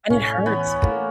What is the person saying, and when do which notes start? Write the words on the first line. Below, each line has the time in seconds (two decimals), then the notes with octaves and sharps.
and it hurts.
0.10 A2 C#4
0.46 E3 B3
0.82 A3 A#3